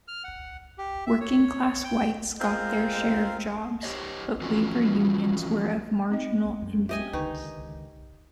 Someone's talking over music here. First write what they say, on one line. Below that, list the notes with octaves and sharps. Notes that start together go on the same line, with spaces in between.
Working-class whites got their share of jobs, but labor unions were of marginal influence.
F6
F#5
G4
E5
C#5
G5
G#3 C4 F4 A#4 G6
G4 C5 C#5 D#5
E3 F3 C#4 F4 F#4
C4 D#4 D#5
F#2
G4 D#5 E5 G#5
C#2 D3 D#3 D#4 B4 G5 C#6